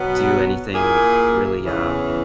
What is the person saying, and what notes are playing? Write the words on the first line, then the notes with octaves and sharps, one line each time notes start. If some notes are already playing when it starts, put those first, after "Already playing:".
do anything really, uh,
Already playing: B2 F#3 B3
A#2 A#3 E4 G#4
E2 C#3 E3